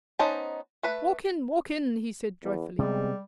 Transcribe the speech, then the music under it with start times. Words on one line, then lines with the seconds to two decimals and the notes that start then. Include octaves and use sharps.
"Walk in, walk in," he said joyfully.
0.19 B3 C#4 D#4 C5 A5
0.83 A3 B4 B5
2.43 E2
2.78 C3 G3 G#3 B3